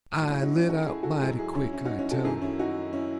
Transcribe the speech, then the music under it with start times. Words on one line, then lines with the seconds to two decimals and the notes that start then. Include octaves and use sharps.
I lit out mighty quick, I tell you.
0.17 A2 F#3
0.30 C#4 E4
0.43 D#4 F#4
0.56 C#4 E4
0.69 F#4 A4
0.87 E4 G#4
1.03 F#4 A4
1.20 G#2 E4 G#4
1.25 F#3
1.38 E4 G#4
1.55 C#4 E4
1.73 C#4 E4
1.85 D#4 F#4
1.99 C#4 E4
2.11 F#4 A4
2.24 F#2 D#3 F#3 E4 G#4
2.42 C#4 E4
2.59 D#4 F#4
2.93 C#4 E4